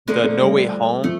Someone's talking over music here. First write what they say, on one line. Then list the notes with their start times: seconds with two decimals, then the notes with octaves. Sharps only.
the No Way Home.
0.08 D3 F3 A3 A#3
0.24 A3
0.40 G3
1.04 F3 A3